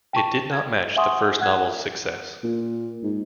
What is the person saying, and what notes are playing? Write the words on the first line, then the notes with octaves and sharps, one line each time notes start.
It did not match the first novel's success.
G5 A5 C#6
G#6
E5 F#5 G#5 C6 C#6 D#6
F#5 F#6 G#6
A#2
G#2